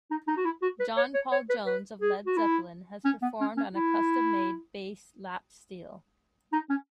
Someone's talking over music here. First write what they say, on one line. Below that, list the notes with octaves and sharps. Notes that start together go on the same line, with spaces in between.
John Paul Jones of Led Zeppelin has performed on a custom-made bass lap steel.
D#4
D#4
F#4
E4
F#4
B4
C#5
C#5
C#5
B4
B4
G#4
F#4
E4
C#4
B3
C#4
C#4
E4
D#4
C#4